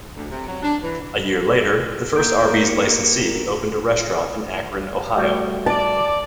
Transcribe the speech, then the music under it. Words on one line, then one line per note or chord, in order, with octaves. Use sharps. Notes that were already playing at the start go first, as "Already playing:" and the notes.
A year later, the first Arby's licensee opened a restaurant in Akron, Ohio.
D2
C3
F#3
D4
E3
A#3 A#4 G6 D7
G4 C#7
G3 A3 F#4
D5 A5